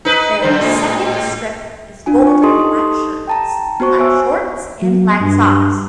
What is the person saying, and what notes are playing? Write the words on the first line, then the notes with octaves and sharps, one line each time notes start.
Their second strip is gold and black shirts, black shorts and black socks.
D#4 B4
F#2 D3 C5
A2 G#3
D4 F4 G#5
C#6
D#4 G4 A4 D#5 C6 D#6
G5 A5 A#5
B3 F#4 C5 C#6
C5 C#5 E5 G#5 E6
F#3
G2